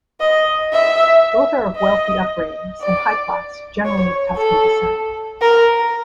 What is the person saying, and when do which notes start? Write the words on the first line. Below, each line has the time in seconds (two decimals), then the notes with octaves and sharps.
Both are of wealthy upbringings and high class, generally of Tuscan descent.
0.20 D#5
0.72 E5
1.76 D#5
2.81 D5
3.85 C#5
4.37 A4
5.41 A#4